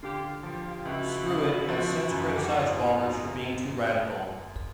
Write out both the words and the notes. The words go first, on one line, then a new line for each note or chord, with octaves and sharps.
Spruyt has since criticized Wilders for being too radical.
D3 F4 G4
F3 F4 G4
F4 G4
F4
C#2 E4 F#4
C#2
F3
F#2
G4
F#4
G#2 D#4 F4
G#2